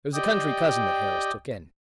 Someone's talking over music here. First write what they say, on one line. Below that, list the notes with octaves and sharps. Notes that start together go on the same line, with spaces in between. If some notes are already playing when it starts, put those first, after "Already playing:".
It was a country cousin that Harris took in.
G4 D5 D#5 G5